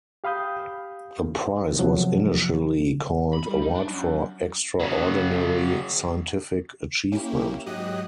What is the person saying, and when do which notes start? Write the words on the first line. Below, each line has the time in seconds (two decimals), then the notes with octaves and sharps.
The prize was initially called "Award for Extraordinary Scientific Achievement".
0.24 G4 F5 B5 D#6 G6
1.79 C3 F3 F#3
3.33 B5
3.46 G3
3.61 D#4
3.75 D4
3.90 F#2
4.80 C#3 F#3
7.12 A#3 C#4 E4 G4
7.66 G#2 F#3 G4 D#5 D#6 F#6